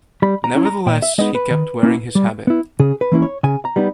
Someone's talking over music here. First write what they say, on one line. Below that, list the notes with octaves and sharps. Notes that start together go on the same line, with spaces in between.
Nevertheless, he kept wearing his habit.
G3 B5
A#5
C#4 E4
A#5
A#2 G5
E5
G#3 B3 D#4 D#5
B4
D#3
A#3 C#4 E4
G3
B3 E4
C#3 G#4
B4
E3 A#3 C#4 E4
C#5
C#3 G#5
A#5
G3 B3 D#4